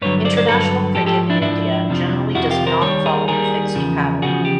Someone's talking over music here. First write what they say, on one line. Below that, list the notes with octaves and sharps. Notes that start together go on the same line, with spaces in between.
International cricket in India generally does not follow a fixed pattern.
G2 D3 F#3 B4 C#5
C5 D5
C5 D5
G2 D3 F#3 A4 B4
G#2 F3 G4 A4
G4 A4
D4 E4
G#2 F3 D4 E4
F2 C3 F3
F2 C3 F3 E4 F#4
F4 G4
A#4 C5
D#2 D#3 G3 C#5
G#4 A#4
D#2 D#3 G3 G#4 A#4
E2 C#3 F3
E2 C#3 F3 F#4 G#4
G4